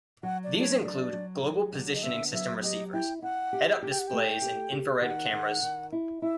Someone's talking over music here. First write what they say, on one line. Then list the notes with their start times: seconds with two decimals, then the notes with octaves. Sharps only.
These include Global Positioning System receivers, head-up displays and infrared cameras.
0.23 F#3 F#5
0.44 D5
0.54 D4
0.59 D5
0.63 C#5
0.83 F#3 D5
1.13 F#3
1.43 F#3
1.73 D3
1.95 D#5
2.03 B3 E5
2.33 F#3 E5
2.63 G4 D#5
2.93 E4 G5
3.22 E4 F#5
3.53 G4
3.83 G4
3.91 G5
3.99 F#5
4.07 G5
4.13 A3
4.42 G4
4.72 G4
5.02 D#3 F#5
5.33 D#3
5.63 D#3
5.92 E4
6.22 E4 E5